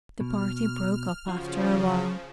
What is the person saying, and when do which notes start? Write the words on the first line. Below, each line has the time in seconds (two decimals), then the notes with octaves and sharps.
The party broke up after a while.
0.21 B2 F6
1.28 C#3 F3 F4 F#4